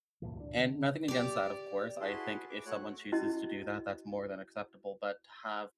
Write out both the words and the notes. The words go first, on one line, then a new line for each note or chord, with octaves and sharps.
and nothing against that, of course. I think if someone chooses to do that, that's more than acceptable, but to have
D2 G2 A#2 E3
D4
D3
G4 D5
E4 F#4 G#4 B4 A5 C6
D6
A3 F#4 C#5 F#6
C#4 E4 F#4 D#5